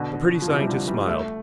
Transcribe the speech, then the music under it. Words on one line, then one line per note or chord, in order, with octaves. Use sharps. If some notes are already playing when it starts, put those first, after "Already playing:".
The pretty scientist smiled.
Already playing: B2 D3
F3
C3 E3
G3
D3 F3
E3 G3
A3